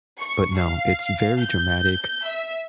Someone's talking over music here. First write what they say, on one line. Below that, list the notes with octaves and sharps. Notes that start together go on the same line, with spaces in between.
But, no, it's very dramatic,
C#6
F5
G6
E5